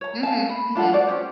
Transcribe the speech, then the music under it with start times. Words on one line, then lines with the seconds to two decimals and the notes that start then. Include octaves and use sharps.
Mhm, mhm.
0.01 C#5 A#5
0.23 F5 G#5 A5
0.49 B5
0.75 D4 F4 A4 F#5
0.93 F#4 C5 D5 F#5
1.07 C#4 G4 G#4 C5